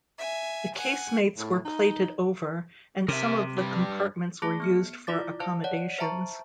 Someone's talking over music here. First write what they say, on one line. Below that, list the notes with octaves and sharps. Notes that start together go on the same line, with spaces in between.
The casemates were plated over and some of the compartments were used for accommodations.
E5 G#5
F#5 G#5
A2
D#4
C3 A#4 E5
G2 G3
A3 G#4 A5 D6 A#6
B3 F6 C#7
E4 F4 D5 D6 A6
C5 F5 A5
C#5 D5 F#5
C5 E5 A5 A#5 C#6